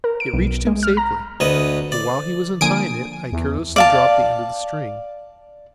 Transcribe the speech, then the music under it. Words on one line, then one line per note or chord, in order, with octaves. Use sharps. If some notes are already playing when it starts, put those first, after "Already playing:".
It reached him safely, but while he was untying it I carelessly dropped the end of the string.
A#4
D7
B1
G#3
F6
A#5
D2 B4 D#5
D5
D3 F3 A#3 G#5 D#6 D7
E2
D5 F5 A5